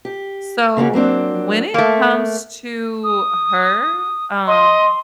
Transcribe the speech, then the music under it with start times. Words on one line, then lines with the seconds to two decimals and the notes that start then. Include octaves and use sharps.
So, when it comes to her, um,
0.05 G4
0.77 C#3 A#3 C#4 F#4
0.93 F#3 A#3 C4 D4
1.74 A3 A#3
3.04 D#6
4.47 D#5 C6